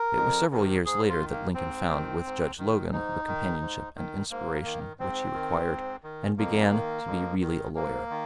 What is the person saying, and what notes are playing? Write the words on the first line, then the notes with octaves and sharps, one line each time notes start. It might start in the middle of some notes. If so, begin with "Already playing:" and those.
It was several years later that Lincoln found with Judge Logan the companionship and inspiration which he required, and began to be really a lawyer.
Already playing: A#4
F2
C3 D#3
G#2 G#4
F4
D#3
A#3
G#2 C4
D#3
G#2
D#3
G#2 D#4
D#3
G#2
D#3
G#2 A#3
D#3
G#2 C4
D#3
G#2
D#3
F2 A#3
D#3
F2
D#3
G#2 A#3
D#3